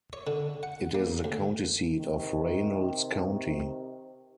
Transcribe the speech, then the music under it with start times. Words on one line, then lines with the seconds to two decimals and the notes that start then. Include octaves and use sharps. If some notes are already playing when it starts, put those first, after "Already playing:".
It is the county seat of Reynolds County.
0.13 C#5
0.27 D3
0.63 F#5
0.95 A#3
1.24 D2
1.98 C3 D#3